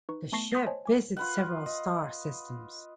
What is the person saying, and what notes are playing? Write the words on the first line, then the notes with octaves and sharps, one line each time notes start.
The ship visits several star systems.
D#4 B4 C#6
A3 B3 A5 C#6 A#6 C7
C6 D#6 G6 A6 A#6 C7
C5 C#5 D#5 G#5 A5
G#5 D6
F4 B4 F#5
D#5